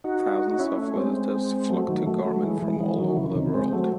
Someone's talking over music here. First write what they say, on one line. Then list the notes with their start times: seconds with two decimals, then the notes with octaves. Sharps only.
Thousands of visitors flocked to Gorman from all over the world.
0.04 D#4 F#4
0.51 D#4
0.59 C#4 E4
0.78 A3 C#4
0.96 G#3 C4
1.70 F#3 A3
1.88 D#3 F#3
2.07 F#3 A3
2.25 F#3 A3
2.43 E3 G#3
2.62 E3 G#3
2.80 E3 G#3
2.98 D#3 F#3
3.17 C#3 E3
3.30 E3
3.35 C3 D#3
3.54 G#3 C4
3.73 F#3 A3